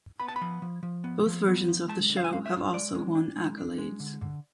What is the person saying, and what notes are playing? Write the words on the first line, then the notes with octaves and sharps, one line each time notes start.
Both versions of the show have also won accolades.
B3 B5
A5
B5
F3
F3
F3
B3
F3
B3
F3
G#3 A5
D3
F5
G#5
G#3 F5
E5
F4
G#3 D5
G#3
D4
G#3
D4
G#3
D3
D3